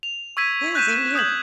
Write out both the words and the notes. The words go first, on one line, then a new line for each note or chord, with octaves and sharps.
Yeah, same to you.
F7
C#6 E6 G#6 B6 D#7
C#6 F#6 G6 B6 D#7 E7
D#6 G6 G#6 F#7